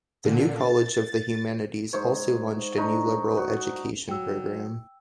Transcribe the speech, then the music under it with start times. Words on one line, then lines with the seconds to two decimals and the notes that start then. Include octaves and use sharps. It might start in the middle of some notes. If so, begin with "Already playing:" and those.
The New College of the Humanities also launched a new liberal education programme.
0.25 A#2 D3
0.60 A6
1.93 G#2 C5 C#5
2.77 D4 D#4 A#5 C#6
3.37 F#4
4.09 F#3 G5 E6